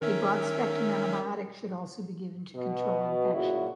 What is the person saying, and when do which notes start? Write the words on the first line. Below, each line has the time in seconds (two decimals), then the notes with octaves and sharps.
A broad-spectrum antibiotic should also be given to control infection.
0.02 D#3 C#4 A#4 E5
2.55 B2
3.34 A#2 C#3 E4 F#4